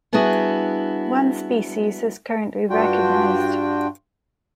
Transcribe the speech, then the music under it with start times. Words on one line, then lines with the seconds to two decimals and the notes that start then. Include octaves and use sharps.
One species is currently recognized.
0.13 G3 B3 D4 E4 F#4 G#4
2.70 G2 D4 F4 F#4 G5